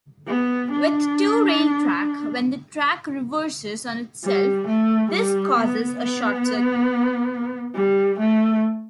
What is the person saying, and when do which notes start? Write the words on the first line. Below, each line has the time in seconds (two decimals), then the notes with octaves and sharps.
With two-rail track, when the track reverses on itself, this causes a short circuit.
0.27 B3
0.71 D4
4.23 G3
4.67 A3
5.11 G3
5.56 B3
5.99 B3
7.75 G3
8.19 A3